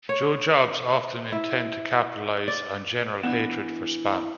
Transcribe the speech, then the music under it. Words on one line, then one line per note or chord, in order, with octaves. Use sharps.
Joe jobs often intend to capitalize on general hatred for spam.
C#5
E4
D5
E3 B3 D4